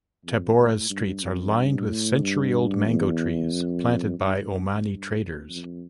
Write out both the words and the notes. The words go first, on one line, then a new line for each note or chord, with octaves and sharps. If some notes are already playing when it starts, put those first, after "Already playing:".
Tabora's streets are lined with century-old mango trees planted by Omani traders.
F2
A2
G2
F2
G2
A2
G2
E2
F2
G2
G2
G2
F2